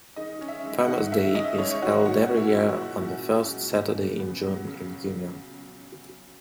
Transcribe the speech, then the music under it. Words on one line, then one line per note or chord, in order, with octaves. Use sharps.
Farmers' Day is held every year on the first Saturday in June in Union.
D#3 D#5
C#4
E5
G#3
F#5
D#3
D#3 E5
C#4 D#5
G#3 C#5
D#3 F#4
A#2 F#4
C#4
E4
G#3
F#4
A#2
A#2
C#4
G#3
A#2
C#3
B3
F#3
C#3